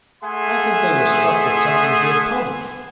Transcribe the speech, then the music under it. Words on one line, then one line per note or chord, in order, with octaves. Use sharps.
"I think they were struck with something he had published."
A3 G#4 E5 F#5 G#5 C6